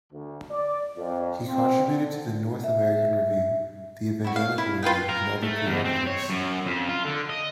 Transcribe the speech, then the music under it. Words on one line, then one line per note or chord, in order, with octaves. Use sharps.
He contributed to the "North American Review", the "Evangelical Review" and other periodicals.
D2
D5
F2
C4
D3
E5
E4 F#4
F5
E4
F4 B4 F5 G5
A#4
A3
E2
C4
C#5
F#2
F2
F4
D3
D#5